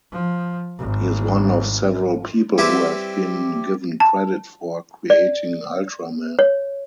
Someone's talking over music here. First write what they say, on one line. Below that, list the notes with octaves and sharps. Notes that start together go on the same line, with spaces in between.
He is one of several people who have been given credit for creating Ultraman.
F3
G#1
G3 C4 E4 G4 B4 C5
A5
D5
C#5